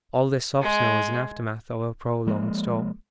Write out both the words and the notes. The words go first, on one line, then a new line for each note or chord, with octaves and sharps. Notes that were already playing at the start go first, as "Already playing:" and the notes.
All this soft snow is an aftermath of our prolonged storm.
G#3
F3 G#3 A#3